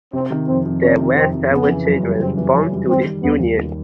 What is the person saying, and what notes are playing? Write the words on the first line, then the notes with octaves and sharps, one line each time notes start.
There were several children born to this union.
C3 C4
D#3
F2 C4
F2
C3 C#4
D#3
F2 C4
F2
C#3 B3
E3
F#2
G3
C#3 C4
E3
F#2 C#4
G3
D#3 C4
G3
D#2 B3
D#2
D#3